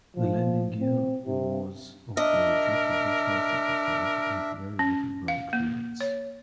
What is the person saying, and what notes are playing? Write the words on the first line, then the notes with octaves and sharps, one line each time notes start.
The landing gear was of the retractable tricycle type with very little ground clearance.
F3
C4
C3
D4 A#4 D#5 E5
C#4
F5
A#3
C#5